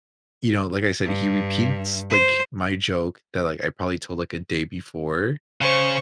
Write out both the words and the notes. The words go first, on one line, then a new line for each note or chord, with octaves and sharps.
you know, like I said, he repeats, like, my joke that, like, I probably told, like, a day before,
G2
C5
C#3 C5 C#6